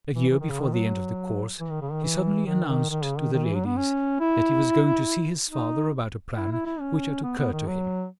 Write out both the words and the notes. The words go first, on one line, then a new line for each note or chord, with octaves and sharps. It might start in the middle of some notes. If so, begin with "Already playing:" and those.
A year before the end of the course he suddenly announced to the ladies that he was going to see his father about a plan which had occurred to him.
E3
E3
D#3
C#3
D#3
F#3
E3
D#3
C#3
D#3
E3
D#3
D#3
D#3
C#3
D#3
D#3
E3
F#3
B3
C#4
E4
D#4
E4
E4
E4
C#4
B3
B3
D#3
F#3